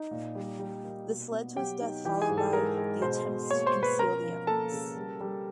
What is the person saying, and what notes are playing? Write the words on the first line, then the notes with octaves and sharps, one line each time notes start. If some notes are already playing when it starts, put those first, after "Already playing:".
This led to his death followed by the attempts to conceal the evidence.
Already playing: D#4
A#2
G3
G3
A#3
B2
B3
F#3 G4 G5
D#4
E3 G4 G5
G#4 G#5
G#2
A4 A5
G#3 A#4 A#5
G#3
B2 C5 C6
B2
A#3 C#5 C#6
C5 C6
B2
B4 B5
C#4 A#4 A#5
F3
A#3 A4 A5
C#3
G3
G3